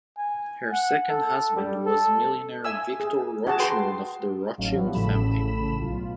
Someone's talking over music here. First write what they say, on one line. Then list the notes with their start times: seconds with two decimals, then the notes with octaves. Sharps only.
Her second husband was millionaire Victor Rothschild of the Rothschild family.
0.18 G#5
0.72 F#5
1.09 A4
1.56 G3
1.86 A4
2.64 E5 G#5 E6
3.00 G#4
3.47 F#4 G#4 A5
3.59 G#4 B4 G5 C6
4.58 A1 F#3 A3 C#4 D#4 F5
4.75 F3 G3 B3 E4 F#4
4.95 A1 A2 C#3 A4 B5 E7
5.79 B1 F4